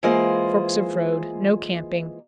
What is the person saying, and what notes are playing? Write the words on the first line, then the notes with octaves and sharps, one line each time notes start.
Forks of Road.--No camping.
E3 G#3 A#3 F4 G#4 C5